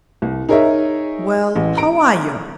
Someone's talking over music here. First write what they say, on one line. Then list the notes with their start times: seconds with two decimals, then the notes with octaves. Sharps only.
Well, how are you?
0.22 C2
0.49 D#4 G#4 A#4 C#5 D#5 E5
1.55 A1
1.77 A#5 D7